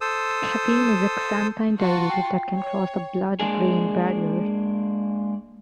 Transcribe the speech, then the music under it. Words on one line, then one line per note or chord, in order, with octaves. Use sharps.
Caffeine is a xanthine derivative that can cross the blood-brain barrier.
A4 C5 D#6 E6
F4 F#4 A5
G5 C7
C#5
G#3 A#3 D4 G#4